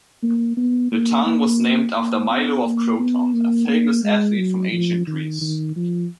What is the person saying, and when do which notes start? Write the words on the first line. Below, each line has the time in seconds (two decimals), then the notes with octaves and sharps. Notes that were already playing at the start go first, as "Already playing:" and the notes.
The town was named after Milo of Croton, a famous athlete from Ancient Greece.
0.23 A#3
0.57 B3
0.92 A#3
1.26 A#3
1.96 A#3
2.30 B3
2.65 A#3
2.99 B3
3.34 A#3
3.68 A#3
4.04 G#3
4.38 F#3
4.72 F3
5.07 D#3
5.41 D#3
5.76 F3